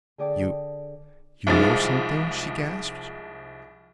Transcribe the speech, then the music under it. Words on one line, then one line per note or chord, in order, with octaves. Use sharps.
"You--you know something?" she gasped.
D3 G#4 D5 G5 A5
C2 F3 G#3 D#4 A6